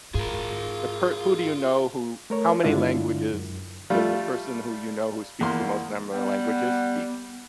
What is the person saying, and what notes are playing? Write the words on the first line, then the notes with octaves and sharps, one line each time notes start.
the per who do you know who how many languages does the person who you know who speaks the most number of languages speak?
G#2 F4 G#4 A#4
A3 A#4 C#5
G2 D3 G#3 D4 E4 F4
F#2
G3 A3 F4
E2 A#3 C6
G3 B3 F#5